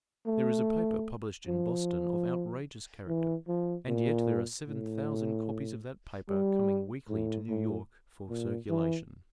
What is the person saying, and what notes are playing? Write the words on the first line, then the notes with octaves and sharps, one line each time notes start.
There is a paper published in Boston of outrageous character, and yet there are seven thousand copies of that paper coming weekly to New York for circulation.
A3
F3
E3
F3
A#2
A2
G3
A2
A2
A#2
E3